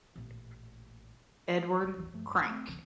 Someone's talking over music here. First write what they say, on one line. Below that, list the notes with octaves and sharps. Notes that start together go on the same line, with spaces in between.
Edward Cranke.
A1 A#2
F#1
D1 G#1 E2 E3
G2 F3 A3
G#1 G2
A3 C4
G#1 D#2 C#3 F3